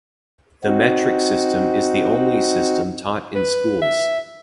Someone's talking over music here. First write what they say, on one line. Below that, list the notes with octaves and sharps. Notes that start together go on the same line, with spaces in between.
The metric system is the only system taught in schools.
C4 D#4 F#4
B4
E5